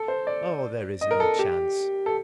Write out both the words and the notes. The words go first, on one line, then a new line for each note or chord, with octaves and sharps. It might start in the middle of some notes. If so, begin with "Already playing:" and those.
Oh, there is no chance.
Already playing: A4
C5
D5
D#5
A#4
A4
G4
A4